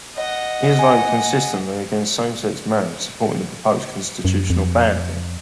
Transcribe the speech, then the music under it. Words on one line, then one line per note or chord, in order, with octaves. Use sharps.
He has voted consistently against same-sex marriage, supporting the proposed constitutional ban of it.
D#5 F#5
G#5
F#2
F2